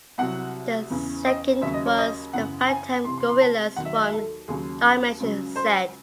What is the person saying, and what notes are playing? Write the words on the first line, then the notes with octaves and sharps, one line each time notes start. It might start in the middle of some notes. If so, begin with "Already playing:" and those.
The second was The Phantom Gorillas from Dimension-Z!
C2 C3 F#3 F#5
E2 C#3 E3
D#5
D#2 C#3 F#3 E5
D#5
C#5
D#5
F#2 C#3 E3 F#5
G#5
C2 C3 E3 C6
C6
C6
A5
D#2 D#3 F#3 F#5
E5
D#5
E5
A4
D#2 C#3 F#3 G#4
C#2 C#3 F#3
C5